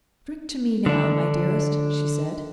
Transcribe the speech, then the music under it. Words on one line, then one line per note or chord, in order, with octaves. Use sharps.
'Drink to me now, my dearest,' she said.
D3 D4